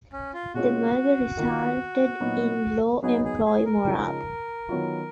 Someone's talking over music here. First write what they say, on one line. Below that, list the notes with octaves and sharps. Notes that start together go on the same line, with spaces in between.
The merger resulted in low employee morale.
C#4
F4
B2 G#3 C#4 F4 F#4
D#3 A#3 F4
A#2 F#3 B3 D#4
F#3 B3 D#4 G#4
G#4
G#4
A#4
C#3 F3 G#3 D#4
D#3 F#3 B3 F4